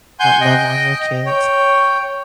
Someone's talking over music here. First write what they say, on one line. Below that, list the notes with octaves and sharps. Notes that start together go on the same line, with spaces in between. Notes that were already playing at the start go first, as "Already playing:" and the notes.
love on your kids.
F#5 G#5 C6 G6
D#5 G5
C#5 G5